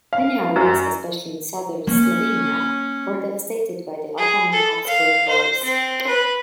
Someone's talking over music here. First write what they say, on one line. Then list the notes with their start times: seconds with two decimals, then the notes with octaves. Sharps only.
Many areas, especially in southern Slovenia, were devastated by the Ottoman-Habsburg Wars.
0.13 F5
0.56 F#2
1.87 A#3 C#4
4.18 G#4
4.52 A4
4.87 F5
5.29 C5
5.63 C4
6.07 B4